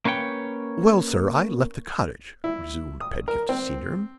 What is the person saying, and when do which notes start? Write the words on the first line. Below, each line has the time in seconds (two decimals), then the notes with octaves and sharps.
"Well, sir, I left the cottage," resumed Pedgift Senior.
0.05 A#3 C#4 B4 C#5 G5
2.44 E4
3.01 D#6
3.28 A#4
3.49 C4